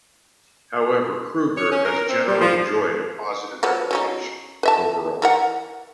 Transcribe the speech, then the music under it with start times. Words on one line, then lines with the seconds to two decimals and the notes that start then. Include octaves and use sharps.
However, Kruger has generally enjoyed a positive reputation overall.
1.57 C#5
1.71 C#4
1.84 A#4
2.08 C4
2.27 G3
2.40 F3
3.63 F3 F#3 B3
3.91 F#3 C#4 D#4
4.63 B4 E5 A5
5.22 E3 A#4 F#5